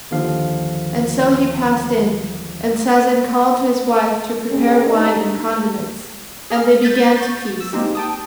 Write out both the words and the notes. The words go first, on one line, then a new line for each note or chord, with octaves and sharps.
And so he passed in, and Sazen called to his wife to prepare wine and condiments; and they began to feast.
D#2 D3 F3 F5
C#3 C4 C#4
G3 A3 D4 D#4
G#4 F6
G6 A6 B6
C#6 G6 A6
E6
G#3 A#3 C4 D#4 G4
G5 A5 D#6